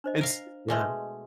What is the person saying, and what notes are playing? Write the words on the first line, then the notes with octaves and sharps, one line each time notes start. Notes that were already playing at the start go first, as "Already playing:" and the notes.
It's yeah.
D4 C5 D#5
A#4 F5
B2 G#3 A3 G#4 B4 C6